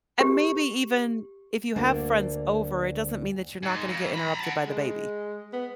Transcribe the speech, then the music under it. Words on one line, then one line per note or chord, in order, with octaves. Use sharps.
And maybe even if you have friends over, it doesn't mean that you're not gonna get interrupted by the baby.
G4
D2 A#3 D4
G#2
F2
A#5 B5
F#5 A5
G#3
B3